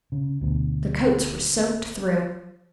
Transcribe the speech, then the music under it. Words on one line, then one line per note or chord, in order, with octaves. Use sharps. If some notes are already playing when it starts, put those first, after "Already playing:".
Their coats were soaked through.
C#3
D2 B2